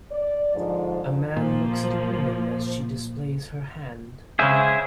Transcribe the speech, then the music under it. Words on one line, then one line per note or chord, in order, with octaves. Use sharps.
A man looks at a woman as she displays her hand.
D5
G#2 D3 F3
A#2 F3 A#3
C#3 G#3 C4 G#4 E5 G#5